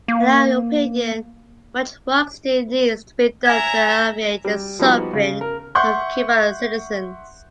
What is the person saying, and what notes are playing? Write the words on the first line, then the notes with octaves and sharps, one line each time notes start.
In our opinion, much work still needs to be done to alleviate the suffering of Cuban citizens.
A#3
E5 G#5 A#5 G#6
G3
F3 G3 B3 D#4 F#4 G4
C#3
A#4
E5 F#5 C6 C#6 F#6 G6